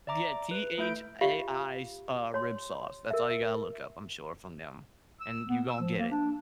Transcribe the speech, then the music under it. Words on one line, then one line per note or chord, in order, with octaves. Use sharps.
Yeah. T-H-A-I's, uh, rib sauce. That's all you gotta look up, I'm sure, from them. And you gonna get it.
D5 E5 A#5 D6
B4
A3 E4 E5 G6 D7
F4 G4 E5 F5
C#5 C6
A#4 E5
E5
E6
B3
E6
F3
A#3
D4